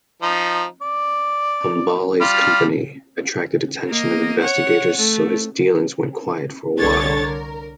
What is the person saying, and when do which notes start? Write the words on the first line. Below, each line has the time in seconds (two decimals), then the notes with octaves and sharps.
Hambali's company attracted attention of investigators so his dealings went quiet for a while.
0.22 F3 D#4
0.82 D5
2.21 G3 F4 F6
3.88 A#3 D#5
4.40 C#5 F#5
4.97 A3
6.78 C2 D3 D4 A4 C#5 A6
7.26 A#4